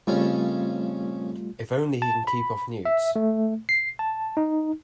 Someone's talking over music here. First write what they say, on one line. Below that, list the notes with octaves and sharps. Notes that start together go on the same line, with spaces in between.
If only he can keep off newts.
F2 C#3 G3 A3 C#4 F4
A5
B5
E5
A3
C7
A5
D#4